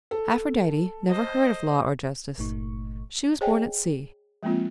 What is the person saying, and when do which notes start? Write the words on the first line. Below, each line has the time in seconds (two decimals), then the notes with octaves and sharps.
Aphrodite never heard of Law or Justice: she was born at sea.
0.11 A4
1.09 C5 D#5
2.38 G1 A#2 A3 D#4 C#6
3.41 G#4 C5 C#5 D#5 G5 G#5
4.43 F3 G#3 A#3 C4 F4